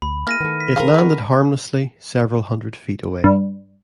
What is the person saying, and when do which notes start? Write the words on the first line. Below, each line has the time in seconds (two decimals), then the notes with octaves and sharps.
It landed harmlessly several hundred feet away.
0.02 D2 B5
0.27 G#3 A#3 E4 F6 A#6 D#7
0.41 D#3 A3 B3
0.60 B6
0.76 G3 G#4 A#4 C5 F5
0.94 F#4 B4
3.24 G2